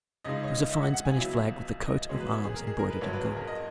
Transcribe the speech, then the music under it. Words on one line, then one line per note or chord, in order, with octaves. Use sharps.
It was a fine Spanish flag with the coat of arms embroidered in gold.
C#2 C#3 G#3 D#4 D#5
C#5
D#5
E5
F#5
F#5
G#5
C#2 B2 F#3 C#4 E4
D#5
E2 B2 G#3 C#5
B4
C#5
G#4
A#4
G#4
A#4
B4
A#1 G#2 F#3 C#4 C#5
B4
G#4
A#4
D#5